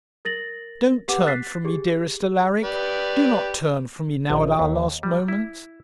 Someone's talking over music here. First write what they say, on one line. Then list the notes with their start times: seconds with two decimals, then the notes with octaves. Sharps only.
'Don't turn from me, dearest Alaric; do not turn from me now at our last moments.
0.25 A#4 A6 A#6 F#7
1.08 G4 B4 F#5 D6
1.26 F#6 A6 B6 C7
1.65 G4 G#4
2.63 G4 B4 D5
4.30 A#1
4.59 D#2
5.03 G3
5.28 E4